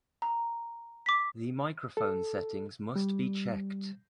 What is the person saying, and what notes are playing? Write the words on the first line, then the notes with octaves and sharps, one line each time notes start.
The microphone settings must be checked.
A#5
D6 B6
A4
G3